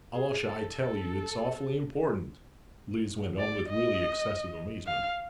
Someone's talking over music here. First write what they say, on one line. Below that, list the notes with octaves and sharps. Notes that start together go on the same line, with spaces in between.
"Alyosha, I tell you, it's awfully important," Lise went on, with really excessive amazement.
G#4
A4
A4
D5
D#5
F5